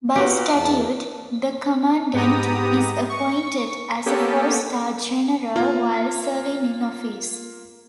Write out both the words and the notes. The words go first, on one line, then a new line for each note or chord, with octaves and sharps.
By statute, the Commandant is appointed as a four-star general while serving in office.
A#2 B3 F#4 G4
E2 A5
G#2 B3 G4 A#5 D#6
C#6
A#3 B3 C#4 G4 A4
A#3 F4